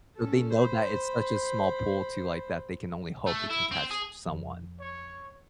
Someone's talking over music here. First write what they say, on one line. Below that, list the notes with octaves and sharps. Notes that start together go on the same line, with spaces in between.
So they know that it's such a small pool too, like, that they can only hope they can catch someone.
C#4 A4
C5 B5
A3
E4
C4
G#4
F2
C#5